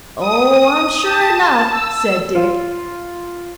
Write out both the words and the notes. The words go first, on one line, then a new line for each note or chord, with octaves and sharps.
"Oh, I'm sure enough," said Dick.
D#6
A5
E6
F4